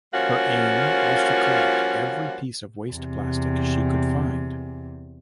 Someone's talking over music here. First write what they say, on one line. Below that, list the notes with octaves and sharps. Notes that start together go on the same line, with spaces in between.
Her aim was to collect every piece of waste plastic she could find.
F3 G3 A#3 C#4 F4 F#4
E2 C3